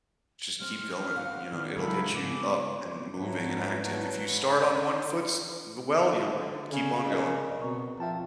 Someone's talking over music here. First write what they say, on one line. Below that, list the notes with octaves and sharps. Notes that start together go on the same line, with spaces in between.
just keep going, you know? It'll get you up and moving and active. If you start on one foot s well, you'll keep on going.
G#3 C4 F6
F5 F#5
D#3
C#3 F#3 G#3 D4 E4 A4 B5
G#2 C#3 B3 D6
G#2 D4 E4 F#4 B4 C#5 A5 A#5
D3
C#3
A#4 D5 D#5
B2 C4 A#5 C#6
F3 E5 G5 A5